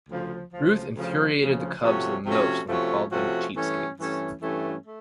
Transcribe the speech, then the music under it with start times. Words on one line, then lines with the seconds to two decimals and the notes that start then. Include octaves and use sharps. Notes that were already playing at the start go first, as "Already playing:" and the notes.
Ruth infuriated the Cubs the most when he called them cheapskates.
0.09 D2 C#3 F3
0.52 D2 C#3 F3
0.96 D2 C#3 F3
1.39 D2 C#3 F3
1.82 C3 F3 A3 C#4 F#4
2.26 C3 F3 A3 C#4 F#4
2.69 C3 F3 A3 C#4 F#4
3.12 C3 F3 A3 C#4 F#4
3.55 G2 E3 A3 C#4
3.99 G2 E3 A3 C#4
4.41 G2 E3 A3 C#4
4.86 A3